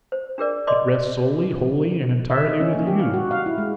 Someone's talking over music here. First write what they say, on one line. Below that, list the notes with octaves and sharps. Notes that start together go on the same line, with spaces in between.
It rests solely, wholly, and entirely with you.'
C5
D4 G#4 A#4 D5
D5 D#5 B5 C6 D6
E5
D#5
C#4
A#3
G4
F5
F#4
F5
E4
G#3